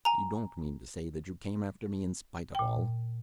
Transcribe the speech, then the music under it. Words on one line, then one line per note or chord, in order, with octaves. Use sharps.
"You don't mean to say that you came after me in spite of all?"
G#5 A#5
A#2 G5